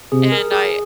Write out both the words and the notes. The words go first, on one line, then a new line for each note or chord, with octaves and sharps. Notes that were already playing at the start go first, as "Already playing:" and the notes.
and I
C3 G#4
A#4
G#4